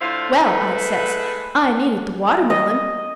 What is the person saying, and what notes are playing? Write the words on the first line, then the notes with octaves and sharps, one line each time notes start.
Well, I says, I needed the watermelon.
A2 D3 E4 F4 C5 F5
G#3 A3 E4 B4
D#5